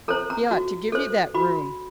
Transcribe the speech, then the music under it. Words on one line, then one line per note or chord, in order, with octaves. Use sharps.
He ought to give you that room.
A4 C5 A#5
A#5
F#4
A4 C5
F#4 B5